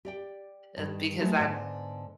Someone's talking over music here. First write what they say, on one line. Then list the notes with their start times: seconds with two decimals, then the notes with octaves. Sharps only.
uh, because I
0.05 G4 D5 G5
0.77 G2 D#3 G3
1.20 F#3 G#3 A3 E4 F#4 G#4
1.39 G#2 D3 B3 D5 A5